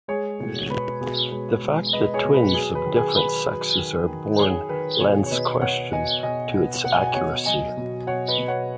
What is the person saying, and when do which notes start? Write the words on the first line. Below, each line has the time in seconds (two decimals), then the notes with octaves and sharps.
The fact that twins of different sexes are born lends question to its accuracy.
0.08 G#3 G#4 C#5
0.40 B2
0.70 B2 B4
1.01 B2 G#4
1.31 G#3 B4
1.62 G#3
1.93 G#3 B4 D#5
2.14 G#4 C#5
2.24 B2
2.34 B4
2.54 F#3 G#4
2.75 B4
2.86 D#3
2.96 G#4
3.17 D#3 B4
3.47 F#3
3.77 D#3
4.08 D#3
4.38 D#3 G#4 C#5
4.69 D#3 B4
5.00 B2 G#4 C#5
5.26 C#5
5.31 B2 B4 D#5
5.61 B2 C#5 F#5
5.93 B2 D#5 G#5
6.23 B2 D#5 G#5
6.54 B3
6.85 B2 F#5
6.93 G#5
7.00 F#5
7.07 G#5
7.14 B2 C#5 F#5
7.46 F#3 D#5 G#5
7.77 B2
8.07 B2 C#5 F#5
8.28 B4 D#5
8.38 B2
8.48 C#5 F#5